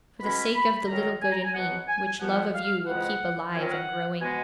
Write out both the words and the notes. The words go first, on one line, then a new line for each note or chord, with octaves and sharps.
'For the sake of the little good in me, which love of you will keep alive and growing.'
B2 G#3 C#4 B5
B5
F#2 D#3 F#3 C#4 A#5
G#5
A#5
G#5
B2 F#3 B3 F#5
G#5
A#2 F3 B3 F#5
F5
F2 C#3 G#3 B3 F#5
F2 D#3 F#3 C#4 G#5
F#5
B2 G#3 B3 G#5